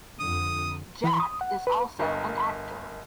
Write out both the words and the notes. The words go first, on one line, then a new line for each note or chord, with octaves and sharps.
Jack is also an actor.
F2 D3 D#6
E3
D#6
F#5
B4
G1 A#4 D#5